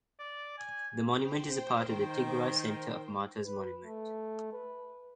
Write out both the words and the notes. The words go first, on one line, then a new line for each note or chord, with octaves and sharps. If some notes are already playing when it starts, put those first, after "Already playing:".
The monument is a part of the Tigrai Centre of Martyrs Monument.
D5
G#5
C5 G5
D#3
B4
A3
B4